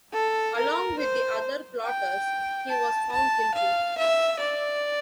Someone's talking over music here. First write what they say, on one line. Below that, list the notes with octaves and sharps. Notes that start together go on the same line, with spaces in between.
Along with the other plotters, he was found guilty.
A4
A#4
C5
G5
A5
A5
F5
E5
D5